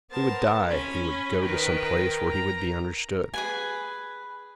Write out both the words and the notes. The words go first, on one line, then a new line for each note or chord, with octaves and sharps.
He would die; he would go to some place where he would be understood.
B3 A#4 C5 A5
C#4 B5
D#3 A#4 B4 G5
A#5
G#4 B4 G#5